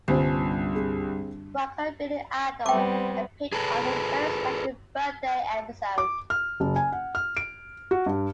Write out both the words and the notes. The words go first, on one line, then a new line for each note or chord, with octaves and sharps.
Rocker Billy Idol appeared on a very special birthday episode.
C2 G2 D3 B3 C#4 F4 C5
C4 G#4
G3 B3 C4 G5 D6
G#4 A4 B4
D6
F6
F#1
G#5
F#5
F6
D7
F#4
G2